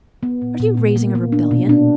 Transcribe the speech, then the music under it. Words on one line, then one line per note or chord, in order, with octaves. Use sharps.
"Are you raising a rebellion?"
B3
A#2
A#2
A#2
A#3
A#3
D4
B2
D4